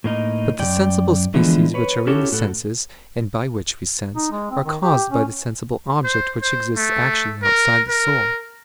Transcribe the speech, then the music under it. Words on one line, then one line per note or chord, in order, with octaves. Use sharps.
But the sensible species which are in the senses, and by which we sense, are caused by the sensible object which exists actually outside the soul.
A2 A#3 D#4
F#2 D5 G5
D3 E3 F3 G#3 B3 D4
B4 C#5
C#4 E4 F#4 G4 A4 C#5
A2 F#4 A4
D#4
G#3
C4
D#3
G4
C#4
C5
C5
A3
A#4
A#4